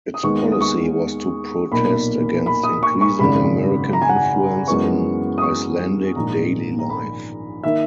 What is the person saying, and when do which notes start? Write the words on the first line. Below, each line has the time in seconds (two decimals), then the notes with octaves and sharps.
Its policy was to protest against increasing American influence in Icelandic daily life.
0.14 D#6
0.23 D#2 D#3 G#3 B3 C#6
0.52 D#6
0.61 C#6
1.72 B1 A#2 A#3 B5
2.46 B5
2.64 D#6
2.83 C#6
3.01 C#6
3.20 G#1 F#2 C#3 G#3 B5
3.93 A#5
4.02 G#5
4.09 F#5
4.16 G#5
4.68 F#2 E3 G#3 B3 C#6
5.38 D#6
5.42 C#6
6.16 A#1 G#2 D#3 A#5
6.79 A#5
6.89 B5
7.63 D#3 A#3 E5